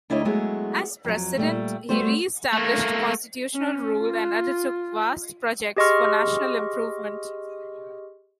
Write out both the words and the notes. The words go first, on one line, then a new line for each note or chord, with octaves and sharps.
As president, he re-established constitutional rule and undertook vast projects for national improvement.
D2 D4 E4 C#5 D#5
F#3 G#3 A3 B3 E4 G#4
F2 F#3
A#2 G3 A3
G3 A3 F#4 C5
A3 A#3
C#4
F4
G4 G#4 D#5 C6 C#6 F6